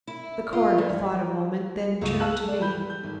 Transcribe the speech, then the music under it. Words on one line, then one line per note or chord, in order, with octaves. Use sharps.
The coroner thought a moment, then turned to me.
E4
F4
G2
C#2 C#6 D#7
G#4 F5 A5 E6 F#6
A4 D5
G3 B5 G6
G6
G#1